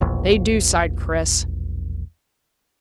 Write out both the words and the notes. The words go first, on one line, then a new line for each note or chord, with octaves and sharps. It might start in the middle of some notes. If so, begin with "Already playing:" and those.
"They do," sighed Chris.
E1 A#1